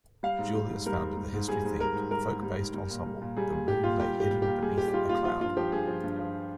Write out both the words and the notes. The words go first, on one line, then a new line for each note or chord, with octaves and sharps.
Julius founded the history-themed, folk-based ensemble, The Moon Lay Hidden Beneath a Cloud.
G3 F5
G#2
G3
G#2
G3 A#4
G#2
G3
G#2
G3 G#4
G#2
G3 A#4
G#2
G3 A#4
G#2
G3
G#2
G3
A#2
G3
A#2
G3 G#4
A#2 G#4
G3 G4
A#2 F4
G3 G4
A#2 G4
G3
A#2 G4
G3 G#4
A#2 G4
G4
G3 F4
A#2 F4
F3 F4
G2 F4
F3 G4
G2 G#4
F3
G2
F3